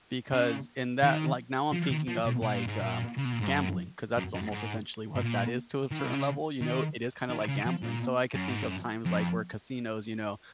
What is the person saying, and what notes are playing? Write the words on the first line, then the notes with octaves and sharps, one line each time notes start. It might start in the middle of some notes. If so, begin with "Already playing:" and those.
Because in that like now I'm thinking of, like, um, gambling 'cause that's almost essentially what that is, to a certain level, you know? It is kinda like gambling. So I could think of times, like, where casinos, you know
C#3
D#3
F3
D#3
F3
B2
B2
A#2
G#2
A#2
C#3
B2
A#2
G#2
F#2
F#2
F#2
G#2
G#2
A#2
D#3
C#3
B2
C#3
D#3
D#3
C#3
F3
A#2
F#2
G#2
F#2
F2